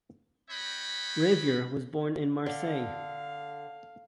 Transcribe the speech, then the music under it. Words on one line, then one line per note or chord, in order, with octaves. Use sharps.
Ravier was born in Marseille.
C4 F#4 C#5 D#5 G5 B5
D3 F5